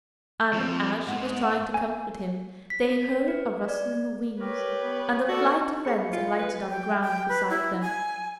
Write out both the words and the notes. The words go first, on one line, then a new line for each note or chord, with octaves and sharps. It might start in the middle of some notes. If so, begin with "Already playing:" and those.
And as she was trying to comfort him they heard a rustling of wings, and a flight of wrens alighted on the ground beside them.
F3 C4
G#2 F#5
G#5
B6
B4
D5
G4 A#4 B4 C#5
B3
B3 F#4 A4 D5
G#4 B5 C#7
F4
B4
G5
G5
B4
E4
G#5